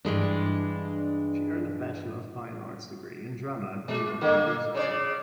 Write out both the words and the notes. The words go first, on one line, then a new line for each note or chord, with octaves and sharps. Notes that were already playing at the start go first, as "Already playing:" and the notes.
She earned a Bachelor of Fine Arts degree in drama at New York University.
G2 E3 G#3 D4
G#3
D3 A#3
C#3 C#5 D5